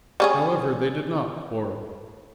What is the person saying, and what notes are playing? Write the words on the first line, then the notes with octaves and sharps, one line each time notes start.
However, they did not quarrel.
G3 C#4 G#4